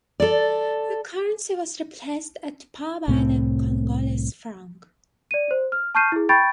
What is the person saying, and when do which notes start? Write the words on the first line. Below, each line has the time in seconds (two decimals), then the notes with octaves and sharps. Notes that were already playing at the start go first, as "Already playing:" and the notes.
The currency was replaced at par by the Congolese franc.
0.20 A4 D5
3.08 C2 A2 C4
5.31 D5 D#7
5.51 C5
5.72 F6
5.95 A5 C#6 F6 G6 C7 D#7
6.12 E4 G#4
6.29 G5 B5 C#6 G6 A6 D7